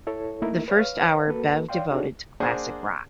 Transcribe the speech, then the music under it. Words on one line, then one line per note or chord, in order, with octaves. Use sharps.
The first hour, Bev devoted to classic rock.
E4 A4 C#5
A3 A#3 D#4 E4 A#4
B4 C#5 F5 F6
A#3 F#4 A4 B4
C#5 D5 F5 G5 C6
D4 D#4 F#4 G#4 A4 C#5
A#3 D4 G#4 C5 D5 F#5